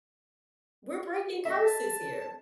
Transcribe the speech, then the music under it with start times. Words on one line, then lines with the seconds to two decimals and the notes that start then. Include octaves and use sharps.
We're breaking curses here.
1.45 D#5 E5
1.65 A5